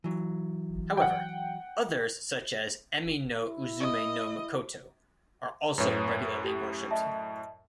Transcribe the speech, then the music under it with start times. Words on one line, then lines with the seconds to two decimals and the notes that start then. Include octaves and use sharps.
However, others such as Ame-no-Uzume-no-Mikoto are also regularly worshipped.
0.04 E3 F#3
0.97 F#5 G5
3.41 E4
3.80 D#5
5.78 F#2 A2 B4 C#5
6.44 G4
6.90 D#5 E5 A5